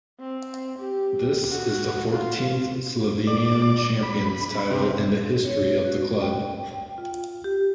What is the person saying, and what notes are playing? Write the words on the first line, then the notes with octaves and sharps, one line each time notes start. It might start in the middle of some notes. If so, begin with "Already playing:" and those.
This is the fourteenth Slovenian champions title in the history of the club.
C4
G4
F#4
F4
D5
B5
C3
C#5
F#4
G5
F4
G4